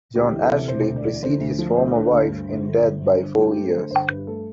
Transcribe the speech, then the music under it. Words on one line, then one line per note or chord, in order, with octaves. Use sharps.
John Ashley preceded his former wife in death by four years.
D2 G4
E3
A4
C3
E1 C5
D2
D5
E3
D3 C5
D2
F3
D2 C5
D3
D2
G2
G1
D3
G1
G2
G1
G2 F4
A3 G4
A4
D3 C5
G1 C5
G2 B4
A3 A4